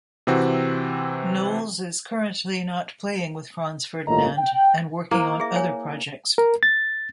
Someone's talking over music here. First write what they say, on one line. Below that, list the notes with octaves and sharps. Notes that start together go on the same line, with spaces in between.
Knowles is currently not playing with Franz Ferdinand and working on other projects.
C3 E3 C4 F#4
G1 A2 A#3 F4 D#5 A#5
G5
A#3 E4 C5
G#4 E5
C#5 G#5
A#4
A6